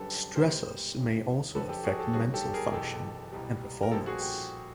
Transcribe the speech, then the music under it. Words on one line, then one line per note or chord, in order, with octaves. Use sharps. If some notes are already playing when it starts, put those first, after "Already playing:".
Stressors may also affect mental function and performance.
Already playing: F#1 F#2 D3 G3 A4 B4
B1 A#2 G3 A#4 C5
D#2 C#3 E3 G3
F#1 F2 D3 F#3 A4 B4
G4 A4
F#4 G#4
G4 A4
G1 G2 D#3 F#3 F#4 G#4
G4 A4
G#4 A#4
F#1 E2 B2 G4 A4
C2 B2 G3
A#4
A#1 A#2 G3 G4 A4
F#4 G#4
G4